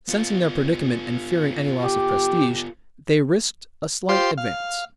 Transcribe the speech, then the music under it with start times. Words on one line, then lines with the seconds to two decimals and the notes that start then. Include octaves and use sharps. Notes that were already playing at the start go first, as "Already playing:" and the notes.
Sensing their predicament and fearing any loss of prestige, they risked a slight advance.
0.08 B3 F4
1.83 G4
4.09 F4 G4 C5 C6
4.38 F5